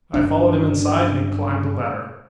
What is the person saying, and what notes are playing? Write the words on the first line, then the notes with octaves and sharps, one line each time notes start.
I followed him inside and he climbed the ladder.
G1 F#2 D4